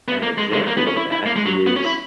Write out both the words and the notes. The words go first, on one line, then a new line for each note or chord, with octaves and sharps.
an example of that is,
B3
A#3
G#3
G#3
A#3
B3
C#4
E4
E4
A#3
G#3
F#3
B3
C#4
E4